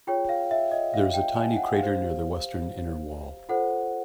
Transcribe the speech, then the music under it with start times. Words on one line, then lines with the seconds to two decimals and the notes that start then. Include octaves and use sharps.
There is a tiny crater near the western inner wall.
0.07 F4 G#4 C#5 G5
0.29 F5
0.51 E5
0.72 D#5
0.94 F5
1.14 G5
1.36 G#5
1.57 F#5
1.78 G4 C5 F5
3.49 F4 A4 C5 F#5